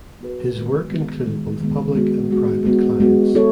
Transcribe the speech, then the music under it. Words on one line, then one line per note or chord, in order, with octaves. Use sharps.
His work included both public and private clients.
B3 F#4 B4
D#3 G#3 B3
D#3 G#3 B3
D#3 G#3 B3
D#3 G#3 B3
G#3 B3 F#4
G#3 B3 F#4
G#3 B3 F#4
G#3 B3 F#4
B3 E4 A4 C#5